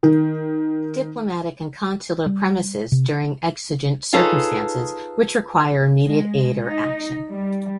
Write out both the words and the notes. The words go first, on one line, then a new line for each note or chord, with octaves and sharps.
Diplomatic and Consular premises during exigent circumstances, which require immediate aid or action.
D#3
G3
C3
D#4 F4 G#4 A4 B4 C#5
G#3
D#4
G3